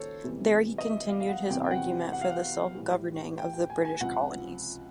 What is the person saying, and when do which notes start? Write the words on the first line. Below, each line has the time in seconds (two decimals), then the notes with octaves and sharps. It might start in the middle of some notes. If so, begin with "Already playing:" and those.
There he continued his argument for the self-governing of the British colonies.
Already playing: C#2 D#3 A#3 A4 C5 C#5
0.24 E2 C3 E3 G3 A#3
0.78 D#5
0.86 E5
1.08 F5
1.20 F5
1.29 F#5
1.49 E2 C3 E3 G3 C4 G5
1.65 G5
1.71 F#5
2.13 F#5
2.21 F5
2.30 F#5
2.75 A2 E3 G3
3.38 G5
3.53 G5
3.70 G#5
3.85 G#5
4.01 C#2 C3 F3 F#5